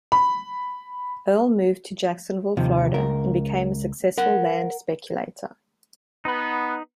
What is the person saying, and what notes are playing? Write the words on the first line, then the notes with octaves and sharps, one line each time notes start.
Earl moved to Jacksonville, Florida and became a successful land speculator.
B5
D#2 C3 F3
C#2 A#4
A#4 F#5
B3 D#4 B5